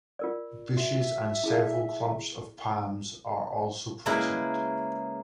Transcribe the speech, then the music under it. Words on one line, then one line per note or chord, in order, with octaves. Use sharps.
Bushes and several clumps of palms are also present.
F4 A#4 D5
F#4 E5
E4 G#4 A5
C#3 G#3 A#3 E4 A#4 B4